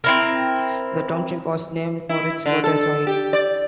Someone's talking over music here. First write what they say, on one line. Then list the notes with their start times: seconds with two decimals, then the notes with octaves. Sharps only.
The township was named for its fertile soil.
0.04 C4 E4 A#4
2.09 E4
2.46 D3
2.64 A4
3.07 G4
3.33 D5